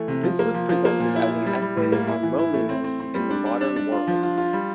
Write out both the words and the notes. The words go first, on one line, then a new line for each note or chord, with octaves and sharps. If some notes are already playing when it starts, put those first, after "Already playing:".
This was presented as an essay on loneliness in the modern world.
Already playing: E3 A3
C3
F3
A#3
F3
F3
A#3
A#2
E4
E4
G3
G3
A2
A#3
E4
E3
E4
A3
C4
C4
C4
G3
D4
D4
D4
D4
F4
F3
F4
F4
G3